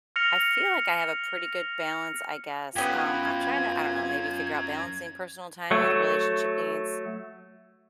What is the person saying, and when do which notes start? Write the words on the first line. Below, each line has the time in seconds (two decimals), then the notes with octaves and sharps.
I feel like I have a pretty good balance, I guess, um, I'm trying to, I don't know, maybe figure out balancing personal time with relationship needs.
0.16 F6 A#6 C#7 F7
2.76 F#2 B3 C4 F4 G4 G#6
5.70 F#3 A3